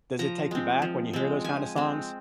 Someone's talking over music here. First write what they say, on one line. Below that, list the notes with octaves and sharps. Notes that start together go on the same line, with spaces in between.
Does it take you back when you hear those kinda songs?
F3 A#5
G#3 C4
F3
G#3 C4
F3 G#5
G#3 C4